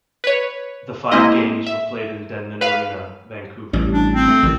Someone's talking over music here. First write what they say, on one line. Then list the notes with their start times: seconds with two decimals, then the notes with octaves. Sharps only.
The five games were played in Denman Arena, Vancouver.
0.24 B4 C#5
1.12 G#3 A#3 C4 E4 D#5
1.67 E5
2.61 B4 F5
3.73 A1 G3
3.93 D4
4.14 C4
4.28 A3
4.43 A1 D3 D#3